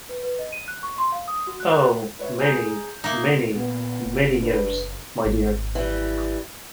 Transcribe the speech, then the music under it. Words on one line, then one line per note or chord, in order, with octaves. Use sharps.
Oh, many, many, many years, my dear.
B4
B4
D#5
D#7
F#6
C#6
C6
F5
D#6
F#4
F#6
F#6
B4 C#5 E5
G#4 A#5 G6
A#3 D#4 E5
A#2 B3
F#1
D4 B4
G#1
E3 G3